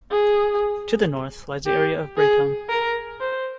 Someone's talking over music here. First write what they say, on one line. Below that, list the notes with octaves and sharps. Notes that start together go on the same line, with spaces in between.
To the north lies the area of Braetongue.
G#4
G4
G#4
A#4
C5